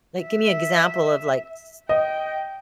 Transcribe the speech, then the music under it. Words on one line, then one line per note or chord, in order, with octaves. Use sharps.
Like, give me an example of, like, s
E5
D#5 G5